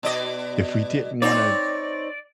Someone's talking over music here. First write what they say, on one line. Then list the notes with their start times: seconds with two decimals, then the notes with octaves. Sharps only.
if we didn't wanna
0.03 B2 D5 D#5
1.22 C4 D#4 C#5 D5